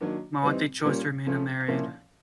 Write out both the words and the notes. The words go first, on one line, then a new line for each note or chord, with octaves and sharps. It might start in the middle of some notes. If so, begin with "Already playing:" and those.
Mayawati chose to remain unmarried.
D#3 F#3 A#3 D4
E3 G3 C4 D#4
A#2 G3 A#3 C#4
C#3 F3 A3 C#4
A#2 F3 A#3 C#4 E4